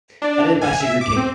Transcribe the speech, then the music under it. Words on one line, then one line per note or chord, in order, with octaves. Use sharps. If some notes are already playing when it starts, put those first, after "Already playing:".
Edited by Sigrid King.
D4
G#5
E5
D6
C4